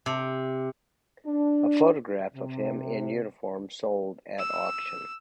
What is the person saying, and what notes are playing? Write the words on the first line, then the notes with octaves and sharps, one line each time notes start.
A photograph of him in uniform sold at auction.
C3
D4
C3
E6